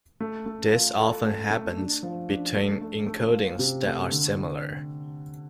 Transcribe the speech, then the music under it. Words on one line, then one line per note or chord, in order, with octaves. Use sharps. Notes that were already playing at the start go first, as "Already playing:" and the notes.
This often happens between encodings that are similar.
A3
A3
F4
A4
A3
A3
D4
F3
D4
A3
A3
A3
F4
C3
A3
D3